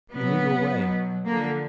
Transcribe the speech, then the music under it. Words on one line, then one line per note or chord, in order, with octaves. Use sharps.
You knew your way.
A#2 F#3 B3
B2 F#3
D3 F3 A#3